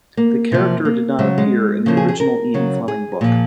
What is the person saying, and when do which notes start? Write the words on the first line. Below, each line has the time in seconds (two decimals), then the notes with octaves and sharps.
The character did not appear in the original Ian Fleming book.
0.17 A#3
0.52 C3 F3
0.85 A#3
1.19 C#3 F#3 G#3
1.38 G#3
1.86 C#3 F3 A#3
1.97 G#4
2.08 G#4
2.20 A#4
2.54 C#3 F#3
2.88 G#4
3.21 A#2 F3